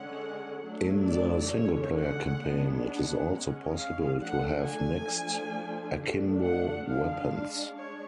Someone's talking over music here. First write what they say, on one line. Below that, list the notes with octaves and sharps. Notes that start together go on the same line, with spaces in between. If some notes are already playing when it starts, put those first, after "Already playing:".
In the single player campaign, it is also possible to have mixed akimbo weapons.
Already playing: D3 G#3 C#4 F#5
F#3 A3 D4
D5
D3 G#3 C#4 C#5
F#5
G#3 B3 D4
F#5
G#3 C#4
F5
F3 A3 D4 F#5
G#5
F3 A3 D4
F3 A3 D4
F#5
G#3 D4 F5
F5
G#3 D4 C#5